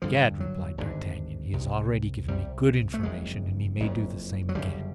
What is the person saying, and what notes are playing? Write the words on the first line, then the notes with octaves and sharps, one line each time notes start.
"Gad!" replied D'Artagnan; "he has already given me good information and he may do the same again."
G#1 G2 D3 F3
F#3
G#1 G2 D3
C2 C3
C2 C3 G3
A3
F#1 F2 C#3 G#3
F#1 F2 C#3
F#3
G1 F#2 C#3 G3